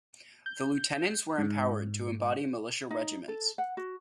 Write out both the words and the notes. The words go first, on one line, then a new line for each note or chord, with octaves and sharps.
The lieutenants were empowered to embody militia regiments.
G6
G#2
D#4
A4
F#5
F#4